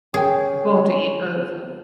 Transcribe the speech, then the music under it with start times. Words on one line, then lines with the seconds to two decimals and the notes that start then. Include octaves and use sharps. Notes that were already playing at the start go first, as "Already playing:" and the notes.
Body oval.
0.14 C#4 G#4 A#4 G5